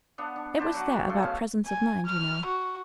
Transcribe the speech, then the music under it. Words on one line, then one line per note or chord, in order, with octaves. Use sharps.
It was that about presence of mind, you know.
B3 D4 F#5
D4
B4 C5 D5 A5
F#3 F#4 F#5 D6
A2 C#3 A4 C6
B2 C#4 F5
G#5
F6
F#4